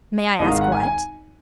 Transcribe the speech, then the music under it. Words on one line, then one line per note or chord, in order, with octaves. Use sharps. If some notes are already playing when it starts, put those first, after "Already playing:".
"May I ask what?"
G#1 G#2 D#3 D#5
F5
F#5
G#5
G#5